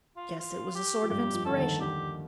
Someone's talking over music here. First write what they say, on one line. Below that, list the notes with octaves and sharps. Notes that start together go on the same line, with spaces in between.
Guess it was a sort of inspiration.
F4
F4
G4
F3
G2 G3 G4
F2 F3
D3 A4
D#2 D#3
G4